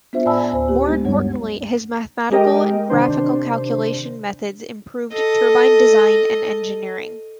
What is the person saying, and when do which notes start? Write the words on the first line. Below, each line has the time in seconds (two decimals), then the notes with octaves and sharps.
More importantly, his mathematical and graphical calculation methods improved turbine design and engineering.
0.13 B3 D4 F4 C5 E5
0.25 A2 D5 G#5 A5 B5 E6
0.52 D2 C5 G#5
0.68 G4
0.85 G#3 A#3 B3 D4 D#4
1.04 G2 G3 D4 C#5
2.30 G#3 G4 A#4 D#5 G5
2.90 C3 D#3 D4 C5
5.12 A4 D#5